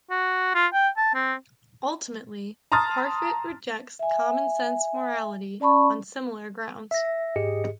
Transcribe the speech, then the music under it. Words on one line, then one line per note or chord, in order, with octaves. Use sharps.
Ultimately, Parfit rejects "common sense morality" on similar grounds.
F#4
F4
G5
A5
C4
A5 A#5 C6 D#6 F6 A6
E5 G#5
C#4 D5 A5 B5 C#6
E5 A#6
G#2 G4 G#4 D#5 C#7